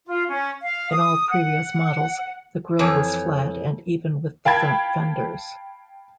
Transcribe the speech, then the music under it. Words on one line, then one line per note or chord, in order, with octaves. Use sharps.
In all previous models, the grille was flat and even with the front fenders.
F4
C#4
F5
D#6
F#5
F2 E3 C#5
F5 G5 A5 B5 G#6